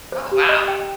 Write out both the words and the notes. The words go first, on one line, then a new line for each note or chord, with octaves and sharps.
Oh, wow.
C5
G4
D#5
G5